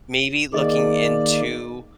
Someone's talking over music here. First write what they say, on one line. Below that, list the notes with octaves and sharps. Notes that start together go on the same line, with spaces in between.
maybe looking into
D#3 A#3 G#4 D5 D#5